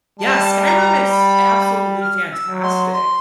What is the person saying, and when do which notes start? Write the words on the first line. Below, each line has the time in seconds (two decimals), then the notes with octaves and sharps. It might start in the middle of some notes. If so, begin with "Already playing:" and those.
Yeah, Skyrim is absolutely fantastic.
0.19 G3 A5
0.65 A#5
1.11 B5
2.01 F6
2.32 E6
2.47 F#3
2.62 C6
2.92 C6